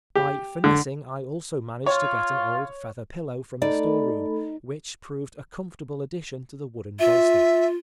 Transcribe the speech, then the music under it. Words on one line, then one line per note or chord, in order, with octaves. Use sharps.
By finessing I also managed to get an old feather pillow from the store-room, which proved a comfortable addition to the wooden bolster.
G4
D3
F4 C#5
A3 D#4 A4 D5 B5
F4 E5